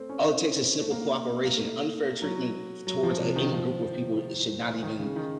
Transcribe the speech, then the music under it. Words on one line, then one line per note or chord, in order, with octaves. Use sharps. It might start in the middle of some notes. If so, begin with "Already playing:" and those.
All it takes is simple cooperation. Unfair treatment t towards a any group of people, it should not even
Already playing: A3 C4
C#4
C4
A3
A#3
A#3
A3
F#3
F#3
F3
C3
D#3
F3
D#3
C#3
D#3